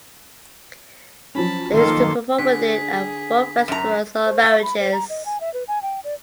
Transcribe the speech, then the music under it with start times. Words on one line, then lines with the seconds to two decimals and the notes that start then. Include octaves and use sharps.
They used to perform with it at folk festivals or marriages.
1.35 F3 F#3 C#4 A5 B5
1.73 D#3 A#3 A4 C6
2.39 D3 G#4 B6
3.68 F#2 A#5
4.26 C5
4.46 F5
4.62 B5
4.80 C5
4.92 A#5
5.09 D#5
5.26 G#5
5.41 E5
5.54 B4
5.68 G#5
5.82 G5
6.04 D5